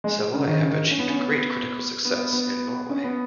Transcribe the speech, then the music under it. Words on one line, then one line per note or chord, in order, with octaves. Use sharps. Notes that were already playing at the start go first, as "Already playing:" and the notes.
Savoy have achieved great critical success in Norway.
G#3
C#3
D#3
C#3
D#3
C#4
B3
C#4
B3
B3
B3
C#4
B3